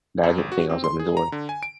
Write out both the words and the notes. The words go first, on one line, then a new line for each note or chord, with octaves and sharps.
That, I didn't think I was gonna enjoy.
F2
G1
F#4
C4
C6
G#4
A#5
D3
G#5
D7